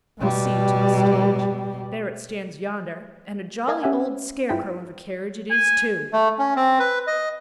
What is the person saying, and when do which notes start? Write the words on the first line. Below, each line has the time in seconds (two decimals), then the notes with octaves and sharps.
"I'll see you to the stage. There it stands yonder--and a jolly old scarecrow of a carriage it is, too!"
0.20 B2 G3
3.68 A#4 D#5 F5 G#5 A5 G#6
3.83 C#4 G4 E5 F#5 G#5
4.49 G2 E4 F4 G#4 G5 B6
5.50 G#5
6.13 A3
6.39 C#4
6.56 C4
6.79 B4
7.07 D#5